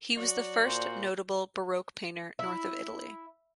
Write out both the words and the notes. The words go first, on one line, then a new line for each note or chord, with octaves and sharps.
He was the first notable baroque painter north of Italy.
F#3 F#4 D5
A#2 C5
E4